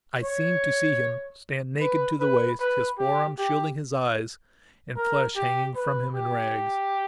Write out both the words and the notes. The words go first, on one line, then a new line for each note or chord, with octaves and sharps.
I seem to see him stand, naked to the waist, his forearms shielding his eyes, and flesh hanging from him in rags.
C#5
B4
B4
B4
G4
G4
A#4
G4
B4
G4